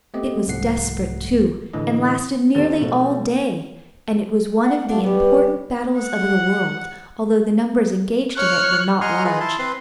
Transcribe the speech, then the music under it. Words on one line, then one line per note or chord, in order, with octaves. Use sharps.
It was desperate, too, and lasted nearly all day--and it was one of the important battles of the world, although the numbers engaged in it were not large.
A3 B3 C4 G4 D#5
C2 G#2 F3 A3 F#5 C7
A2 D3 E3 D#5
D#2 A4 C5 A6 G7
B2 F3 A3
F#5
A3 D4 F4
G3 B3 C#4
F#5
C#5 F6 F#6
D#5 F#5 G#5 A#5 C6 F6
F4 G#4 B4 D#5
E4 A5 C6
C4 B4 C6